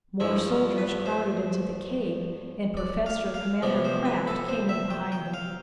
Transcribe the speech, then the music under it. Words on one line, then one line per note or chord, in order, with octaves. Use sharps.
More soldiers crowded into the cave, and Professor-Commander Krafft came in behind them.
G2 F3 A3 E4
F4
B4
C5
D5
F5
F5
C3 F3 B3 D5
C5
B4
A4
C5
E5
G5
G5
F5